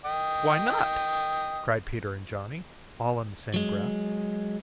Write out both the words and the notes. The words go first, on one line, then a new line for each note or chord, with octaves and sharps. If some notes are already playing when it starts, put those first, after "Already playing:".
"Why not?" cried Peter and Johnny, all in the same breath.
D#5 G5
F#3 G#3